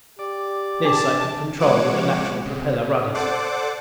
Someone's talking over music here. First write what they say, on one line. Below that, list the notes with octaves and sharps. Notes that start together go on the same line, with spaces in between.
This I could control with the lateral propeller rudders.
G4 D5
D4 A5 D6
F3 G#3 C#5 F#5 D6 E7
C3
A4 C5 D5 F#5 D6